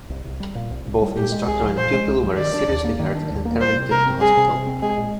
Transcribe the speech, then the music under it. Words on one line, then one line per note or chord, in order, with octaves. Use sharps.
Both instructor and pupil were seriously hurt and airlifted to hospital.
C2
C2
G3
A#2
C2
C2
G3
A#2 G4
G#3
C2 G#4
F3
A#2 C5
G#3
C2
F3
D#3 D5
D4
D#2
A#3
D#3
D4
D#2
A#3
G3 C5
C3
C3 A#4
C4
G3 G#4
C3
C3
C4
G#3 G#4
A#2